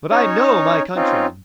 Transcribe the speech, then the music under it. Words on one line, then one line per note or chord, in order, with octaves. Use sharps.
But I know my countrymen.
C#4 D#4 C#5
C4 C#4 D#4 F4